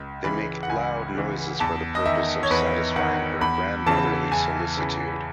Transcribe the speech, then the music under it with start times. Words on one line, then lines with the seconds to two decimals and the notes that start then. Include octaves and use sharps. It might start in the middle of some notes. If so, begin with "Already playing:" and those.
They make loud noises for the purpose of satisfying her grandmotherly solicitude.
Already playing: C#2
0.24 C#3 E3 B5
0.63 F#5
0.69 C#2 G#5
1.15 C#3 E3
1.60 E2 A5
1.95 D#5
2.05 D#3 E5
2.43 C#5
2.51 E2 B4
2.96 D#3 F#5
3.41 E2 B5
3.86 C#3 E3 A5
4.31 E2 G#5
4.77 C#3 E3